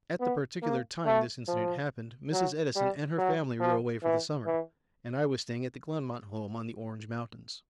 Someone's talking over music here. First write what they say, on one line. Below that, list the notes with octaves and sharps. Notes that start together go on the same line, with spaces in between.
At the particular time this incident happened, Mrs. Edison and her family were away for the summer, and I was staying at the Glenmont home on the Orange Mountains.
B3
A#3
A3
F3
F#3
G3
F#3
F3
E3
E3